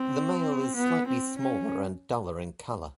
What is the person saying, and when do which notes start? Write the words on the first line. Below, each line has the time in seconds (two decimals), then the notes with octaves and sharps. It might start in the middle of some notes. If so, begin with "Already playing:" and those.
The male is slightly smaller and duller in colour.
Already playing: C4
0.76 B3
1.08 C4
1.39 C#4